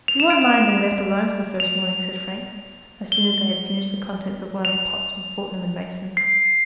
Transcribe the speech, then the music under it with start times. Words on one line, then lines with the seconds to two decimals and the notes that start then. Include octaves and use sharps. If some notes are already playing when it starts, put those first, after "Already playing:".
"You won't mind being left alone for the first morning?" said Frank, as soon as they had finished the contents of one of the pots from Fortnum and Mason.
0.08 F7
0.20 E7
0.30 D7
0.42 E7
1.60 F7
3.12 G7
4.65 F7
6.17 C7